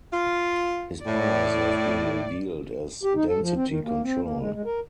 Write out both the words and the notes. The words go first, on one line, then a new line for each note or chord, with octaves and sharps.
His powers have been revealed as density control.
F4
A2 D5
G4
D#4
A4
F3
C4
D#3
A#3
C4
A#3
G#3
G#3
A#4